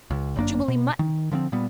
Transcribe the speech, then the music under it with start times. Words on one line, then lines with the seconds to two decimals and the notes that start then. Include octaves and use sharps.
Jubilee mutton.
0.11 C#2
0.36 G1 F#2 A#3 D4
0.68 B2
0.99 D#3
1.31 D3 F3 A3 C4
1.52 A#2 G3 B3